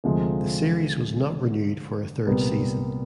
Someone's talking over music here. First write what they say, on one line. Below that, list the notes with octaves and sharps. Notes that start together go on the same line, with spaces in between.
The series was not renewed for a third season.
D2 C3 F3 G#3 C4
C2 A#2 G3 B3